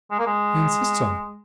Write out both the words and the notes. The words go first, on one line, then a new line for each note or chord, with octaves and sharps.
"He insists on it."
G#3
A#3
G#3